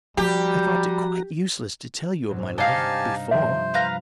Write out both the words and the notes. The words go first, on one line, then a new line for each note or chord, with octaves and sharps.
I thought it quite useless to tell you of my love--before.
F3 G3 F#4 G4 A#5
B1 G#2
G2 C3 D4 D#4 G4 F5 G#5 A5
G2 F3 C5 E5
B4 F5 A#5